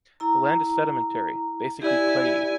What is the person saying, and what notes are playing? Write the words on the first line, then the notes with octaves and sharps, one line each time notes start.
The land is sedimentary, basically clayey.
E4 A#5
E4 G4 D5 G#5